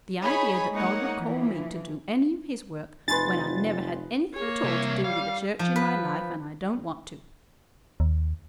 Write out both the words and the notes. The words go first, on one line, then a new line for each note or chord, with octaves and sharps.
The idea that God would call me to do any of His work when I never had anything at all to do with the church in my life, and I don't want to.
D#4 G#4 C#5 B5
G#3 A#3 D#4 C#5 F#5
E3 F3
F1 D#4 B4 G#5 B5 C6 A6
A#3 C#5
C2 E5
G3 F5
F3
B4
D#2